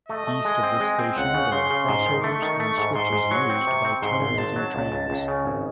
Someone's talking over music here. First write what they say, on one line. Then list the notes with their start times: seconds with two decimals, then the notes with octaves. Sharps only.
East of this station, there are crossovers and switches used by terminating trains.
0.09 A3 D#5
0.27 A3
0.45 G#3
0.63 C4
0.80 G#3
0.99 C4
1.16 C#2 F#5
1.34 C#3
1.52 C#3 C6
1.70 C#3
1.89 G#2
2.06 D#3
2.23 A3 C#6
2.42 D#3
2.60 A3
2.78 G#2
2.95 G#2 C6
3.13 G#2
3.31 F#3 C#6
3.49 C4
3.67 C3
3.85 C4
4.02 G#2 C6
4.20 G#1
4.38 G#1 A5
4.56 F#3
4.75 C#2
4.92 C#2
5.10 C#2
5.28 C#3
5.45 G#1